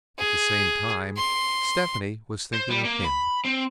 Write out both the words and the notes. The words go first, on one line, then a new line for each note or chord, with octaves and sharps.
At the same time Stephanie was thinking of him.
G#4
C6
C5
G3
A#3
B5
C4